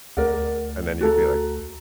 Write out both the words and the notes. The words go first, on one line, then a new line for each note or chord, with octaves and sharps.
and then you'd be like,
D2 A#4 D5 F#5
F#4 A4 A#5